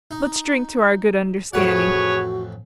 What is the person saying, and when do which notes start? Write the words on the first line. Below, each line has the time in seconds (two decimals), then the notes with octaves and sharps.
Let's drink to our good understanding.
0.11 D#4
1.53 A1 F2 F#4 G#4 B4 C#5 F#5